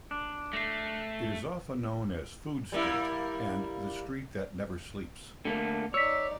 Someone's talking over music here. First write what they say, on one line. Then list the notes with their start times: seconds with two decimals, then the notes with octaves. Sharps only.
It is often known as "Food Street" and "The Street that Never Sleeps".
0.11 D4
0.53 A3 A#6 C7
2.72 G3 A#3 E4
5.45 D3 A3 A#3
5.94 D#4 C#5 D5 E6 B6